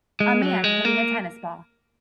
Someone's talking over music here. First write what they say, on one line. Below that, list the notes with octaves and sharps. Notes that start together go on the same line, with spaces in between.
A man hitting a tennis ball.
G#3
F#3
G#3
A#3